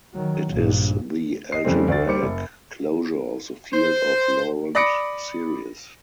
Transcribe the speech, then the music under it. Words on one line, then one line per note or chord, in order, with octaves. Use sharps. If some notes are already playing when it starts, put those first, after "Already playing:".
It is the algebraic closure of the field of Laurent series.
D#3 F#3
A#1 G2
D#5 C7
F2 C#3 G3 A3 C4
D2 D5 A6
G3 C5 D6 C#7
F#1
C5
D5 B5 D#6 A#6 C#7 D7